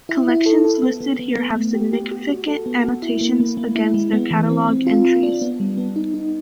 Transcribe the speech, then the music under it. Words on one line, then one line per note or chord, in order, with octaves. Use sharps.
Collections listed here have significant annotations against their catalogue entries.
E4
E4
A4
A4
B3
B3
B3
B3
A3
G4
G4
G4
F#4
A4
B3
F#4
E4
A#3
A#3
A#3
E4
G#3
B3
E3
C4
C4
F4
F4
D4
B3
G3
B3
D#4
D#4